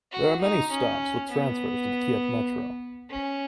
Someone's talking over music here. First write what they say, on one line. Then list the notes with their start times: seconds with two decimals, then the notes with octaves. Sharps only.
There are many stops with transfers to the Kyiv Metro.
0.12 F#4
0.41 D#4
0.71 C#4
1.30 B3
3.09 C#4